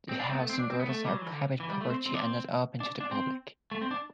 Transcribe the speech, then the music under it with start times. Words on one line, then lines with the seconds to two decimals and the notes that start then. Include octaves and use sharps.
The house and gardens are private property and not open to the public.
0.09 C4
0.19 D4
0.30 C4
0.35 B3
0.39 A3
0.49 C4
0.59 D4
0.70 C4
0.80 B3
0.89 A3
1.05 G3
1.13 F#3
1.21 E3
1.30 D3
1.60 E3
1.70 G3
1.81 A3
1.90 C4
2.06 C4
2.14 D4
2.21 C4
2.80 D4
3.00 D4
3.11 C4
3.71 A3
3.81 C4
3.91 D4